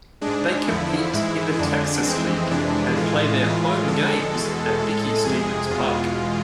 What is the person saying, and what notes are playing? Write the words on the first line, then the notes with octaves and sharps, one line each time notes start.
They compete in the Texas League and play their home games at Dickey-Stephens Park.
G#3 D4
G#2
E2 D3 F3 E4
G#2 E3 G#3 E4
F2 D3 G#3 D4
F2 E3 G#3 C4
F2 C3 E3 G#3 D4
A2 E3 G#3 F4
A2 E3 G#3
F2 D3 G#3 A4
E2 B2 G#3
A2 G#3
F2 C3 G#3 G#4
E2 B2 G#3 F4